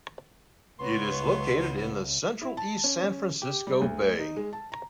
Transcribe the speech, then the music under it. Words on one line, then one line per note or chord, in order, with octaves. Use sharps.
It is located in the central East San Francisco Bay.
C#2 B3 B4 C#5 C6 C#6
E4
A5
C#4
C#4
G4
G3
D2
D#4
G#3
A5
A#5